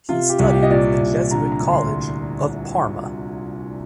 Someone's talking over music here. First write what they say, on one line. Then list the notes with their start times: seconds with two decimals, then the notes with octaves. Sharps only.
He studied in the Jesuit college of Parma.
0.09 C3 F4
0.29 G4
0.39 C2
0.49 G4
0.63 D#5
0.70 A#2 D5
1.01 C2
1.31 D3 A#5
1.52 A#5
1.62 D2
1.73 C6